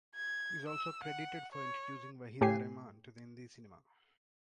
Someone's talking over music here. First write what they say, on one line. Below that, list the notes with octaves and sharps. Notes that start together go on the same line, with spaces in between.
He is also credited for introducing Waheeda Rehman to the Hindi cinema.
G#6
E6
F#5
C#5
A2 G4 G#5 C7